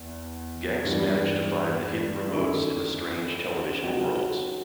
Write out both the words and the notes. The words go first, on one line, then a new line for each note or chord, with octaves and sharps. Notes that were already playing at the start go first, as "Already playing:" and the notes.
Gex managed to find the hidden remotes in the strange, television worlds.
Already playing: E2
G2 E3 G3
F#2 D#3 A3 E4
F#3 C4 D#4 F#4